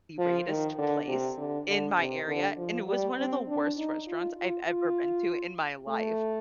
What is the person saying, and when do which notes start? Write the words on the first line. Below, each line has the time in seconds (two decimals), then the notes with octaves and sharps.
highly-rated place in my area, and it was one of the worst restaurants I've ever been to in my life
0.18 F3
0.48 D#3
0.78 D3
1.08 C3
1.38 D3
1.68 D3
1.98 C3
2.28 D3
2.58 F3
2.87 G3
3.18 C4
3.48 D4
3.78 D#4
4.07 F4
4.38 F4
4.68 F4
5.88 A3